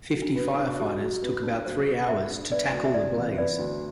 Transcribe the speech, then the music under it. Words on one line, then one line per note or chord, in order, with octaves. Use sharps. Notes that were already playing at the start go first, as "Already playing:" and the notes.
Fifty firefighters took about three hours to tackle the blaze.
F#3
D4
B3
F#4
D4
F#3 G4
F#3
B3
D4
F#3 C5
F#3
B3 E5
D4
B3 D5
D2
E5
C3 D5
E3
B3 D5
D2